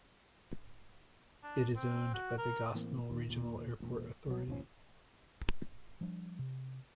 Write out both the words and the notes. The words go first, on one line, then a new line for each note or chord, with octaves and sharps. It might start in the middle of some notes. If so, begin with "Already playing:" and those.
It is owned by the Gosnell Regional Airport Authority.
D4
C4
F#4
A#4
A2 E3 A#3 C4
D#2 A#2 D#3
D#2 A#2
E1 A#2
C2 F#3
F1 D#2 F3 C#4
F3 G3 D4
C3